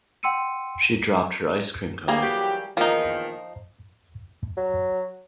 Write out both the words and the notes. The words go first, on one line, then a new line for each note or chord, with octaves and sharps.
She dropped her ice cream cone.
F#5 G5 C6 E6 C#7 D#7
G3 A#3 G#4
E3 F#3 G4
E2 A#2 D#3 F3 D#4
F#3